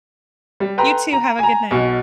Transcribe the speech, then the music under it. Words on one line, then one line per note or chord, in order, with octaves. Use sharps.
You too. Have a good night.
G3
A4 B4 G5 A#5 C6
A#5
G#5 A#5
B1 B2